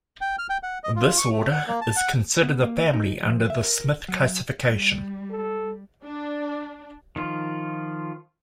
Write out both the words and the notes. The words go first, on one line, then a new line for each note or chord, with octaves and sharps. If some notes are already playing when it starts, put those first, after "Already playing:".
This order is considered a family under the Smith classification.
G5
F6
G5
F#5
D#5
F4
C#6
A3
F#5
A#3
A5
F#5
B3
A#3
D#4
F3
E5
A#4
F#3
G3
A4
D4
D#3 F3 F4